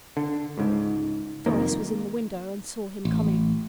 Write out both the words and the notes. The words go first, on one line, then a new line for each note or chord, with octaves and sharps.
Doris was in the window and saw him coming.
D3
C#2 G#2
C2 F2 D#3 A#3
A1